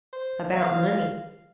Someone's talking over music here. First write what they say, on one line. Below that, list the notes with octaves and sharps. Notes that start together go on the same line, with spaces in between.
"About money."
C5
F5